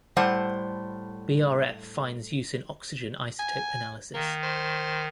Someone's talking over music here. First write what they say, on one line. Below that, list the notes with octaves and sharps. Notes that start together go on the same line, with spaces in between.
BrF finds use in oxygen isotope analysis.
A2 G3 C5 F#5 A5
G#5
D#3 A#3
C5